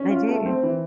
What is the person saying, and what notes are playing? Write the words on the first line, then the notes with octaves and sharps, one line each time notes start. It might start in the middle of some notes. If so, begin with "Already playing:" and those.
They do.
Already playing: C#4
F4
A3
C4
E3